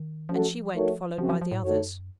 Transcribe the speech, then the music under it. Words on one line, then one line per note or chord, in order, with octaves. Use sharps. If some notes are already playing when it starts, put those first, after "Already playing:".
And she went, followed by the others.
Already playing: D#3
F3 A3 C#4 F#4 A4
A3 D#4 F#4 A#4 C#5
F#2 C#3 F3 F#3 C4 F#4
F3
F3
A2
F#2 A3 D#4 F#4 A4 C#5